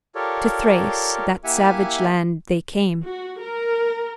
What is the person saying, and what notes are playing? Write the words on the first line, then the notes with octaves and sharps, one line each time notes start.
To Thrace, that savage land, they came.
F4 G4 A4 A#4 C#5 D5
A#3 E4 G4 E5 F#5 G#5
F#4
A#4